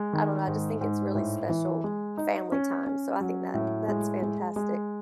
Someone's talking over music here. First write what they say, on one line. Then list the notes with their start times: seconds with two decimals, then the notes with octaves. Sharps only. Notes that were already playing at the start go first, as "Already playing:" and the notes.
I don't know, I just think it's really special family time, so I think that that's fantastic
Already playing: G#3
0.13 D#3
0.47 G#2
0.81 G#2
1.15 A2
1.50 E3
1.84 G#3
2.17 D#4
2.52 C#4
2.86 C#4
3.21 F#3
3.54 A2
3.88 G#3
4.22 G#3
4.56 G#3